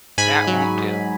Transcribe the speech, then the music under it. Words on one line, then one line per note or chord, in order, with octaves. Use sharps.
That won't do.
G#2 G#5 B5
F#3
G#2